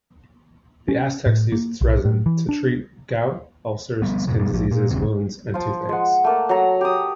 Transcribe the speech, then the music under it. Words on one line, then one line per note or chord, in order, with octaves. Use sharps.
The Aztecs used its resin to treat gout, ulcers, skin diseases, wounds, and toothaches.
C#4
A2
A#3
B1
A2
E3
D4
F3 G3 B3
F#2 A2 C3 F#3
G2 B2 G3
A#1 F3
A#2 A#3
A#1 E2 C#3 C4
F3 F4
G#3 F#5
A3 A#3 A5
F#3 A4 A#5
G4 D#6